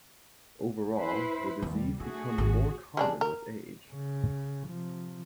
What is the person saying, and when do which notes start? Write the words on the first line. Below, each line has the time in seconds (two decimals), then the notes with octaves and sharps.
Overall the disease becomes more common with age.
1.01 E4 B4 C5
1.62 D#2 G3
2.00 A3 D4 F#4 G#4
2.38 G#1 D#3
2.97 G3 G#3 D4
3.21 A#4
3.91 C#3
4.67 C3 F3